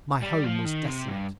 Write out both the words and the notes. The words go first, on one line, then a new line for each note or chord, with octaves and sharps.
My home was desolate.
G3
F3
D#3
C3
G2